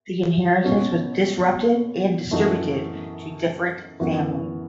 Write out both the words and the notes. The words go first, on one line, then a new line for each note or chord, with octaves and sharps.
The inheritance was disrupted and distributed to different families.
B2 F#3 C#4 F#4
F#2 E3 A3 D#4 F#4
F#2 E3 B3 F#4